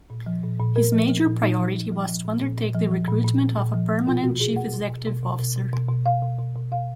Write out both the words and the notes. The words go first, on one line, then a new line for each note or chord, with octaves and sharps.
His major priority was to undertake the recruitment of a permanent chief executive officer.
A#2
F3
A#2
A#2
A#2 A#4
F3
F3
A#2
A#2 D#4
F3
F3
F3
F3
A#2
A#2
A#2
F3
F3
A#2
A#2
A#2
A#2
F3
F3
B2 F4
B2 F#4
B2 G#4
B2 F#5
B2
B2
B2
B2
B2
B2
B2
B2
B2 F5
B2
B2
B2
B2 F5